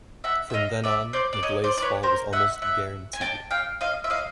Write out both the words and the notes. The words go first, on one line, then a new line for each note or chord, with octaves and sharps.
From then on, McLay's fall was almost guaranteed.
E5 F#5
E5
D#5 F5
D5 E5
C5 D5
D5
C#5 D#5
C5 D5
D5
B4 C#5
A#4 C5
E5 F#5
E5 F#5
G#5
G5 A5
F5 G5
D#5 F5
E5
D#5 F5